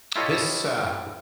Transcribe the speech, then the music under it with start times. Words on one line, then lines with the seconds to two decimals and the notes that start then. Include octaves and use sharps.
This, uh
0.16 E4 F4 G4 A4 C#5 D#5